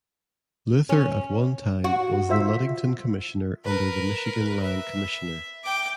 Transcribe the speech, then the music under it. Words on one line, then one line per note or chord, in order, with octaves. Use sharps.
Luther at one time was the Ludington commissioner under the Michigan land commissioner.
C#4
F#4
F4 C5 E5
A#4 B4
E5
G5 D6